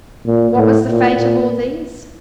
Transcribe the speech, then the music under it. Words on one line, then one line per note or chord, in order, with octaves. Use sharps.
What was the fate of all these?
A#2
A2
A#2
A#2